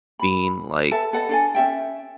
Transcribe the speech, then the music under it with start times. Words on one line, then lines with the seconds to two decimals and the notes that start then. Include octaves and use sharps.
being, like,
0.19 B5
0.91 A4 B4 E5 A5
1.13 A4 B4 D#5 F#5
1.29 D4 A4 G#5
1.55 C#4 F#4 E5 G5